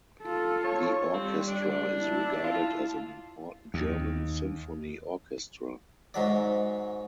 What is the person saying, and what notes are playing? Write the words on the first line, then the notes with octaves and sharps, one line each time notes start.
The orchestra is regarded as an important German symphony orchestra.
F4 A4
C#5
G3 C4
D4
E4 A5
F4
D#2
G#2 F#3 D5